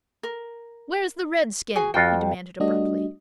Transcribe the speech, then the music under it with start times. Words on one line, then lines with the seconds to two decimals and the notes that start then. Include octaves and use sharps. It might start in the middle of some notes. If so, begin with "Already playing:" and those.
"Where is the redskin?" he demanded abruptly.
0.23 A#4
1.75 F#4 G#4 G#5
1.94 F2 F4 F#4 G5
2.60 G3 A3 D4 F#4 D#5